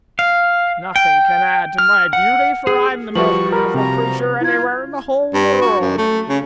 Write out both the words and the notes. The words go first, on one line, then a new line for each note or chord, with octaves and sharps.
"Nothing can add to my beauty, for I'm the most beautiful creature anywhere in the whole world."
F5
G5
F6
F#5
G#4
F3 G3 F#4 B4 C#6 F#7
A#4 B5
C3 A#5
E4 F4 G#6
G2
F#4
F#2
A3
C#3